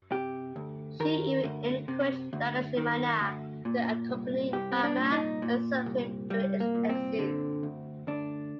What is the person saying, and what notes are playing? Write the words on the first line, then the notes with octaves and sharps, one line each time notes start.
She even encouraged Lakshmana to accompany Rama and serve him during his exile.
C3 G4
D2
D#3 A#4
D2
C3
D2
D#3
D2
A#2
C2
C2 G4
C4
D4
A#2
D#4
A#2
C2
C2 G3
A#3
A#2
C4
D3
D2
D2 D4